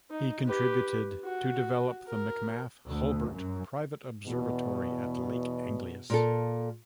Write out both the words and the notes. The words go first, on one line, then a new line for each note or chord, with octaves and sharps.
He contributed to develop the McMath-Hulbert private observatory at Lake Angelus.
D#4
G4 B4
F#4
A#4
D2
F#2
E2 B2
A#2 A#3 A4